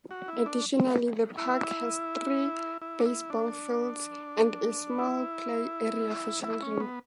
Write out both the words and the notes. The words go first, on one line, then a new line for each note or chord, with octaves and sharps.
Additionally, the park has three baseball fields, and a small play area for children.
F#4
E4
D4
E4
E4
D4
E4
D4
E4
E4
C#4
B3